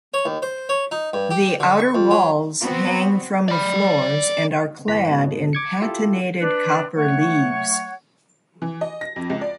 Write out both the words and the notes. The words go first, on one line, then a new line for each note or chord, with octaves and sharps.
The outer walls hang from the floors and are clad in patinated copper leaves.
C#5
D#2
C5
C#5
D#4
G2
G4
D3
C#6
F2
F#3
B3 C4 F#4
D5 B5
G1 E3 A#5 B6
G#2 B2
D6 G#6 C#7
E4 F4 G4 A4
D4 B4
F#3 A3 C#5 F#5 C#6
E3
D#5
A#6
F2
C#2
D5